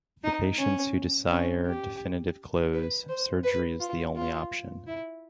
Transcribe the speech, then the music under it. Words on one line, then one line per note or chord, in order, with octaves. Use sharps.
For patients who desire definitive close, surgery is the only option.
D#4
C#4
C#4
G4
B4
C5
B4
F4
F4
E4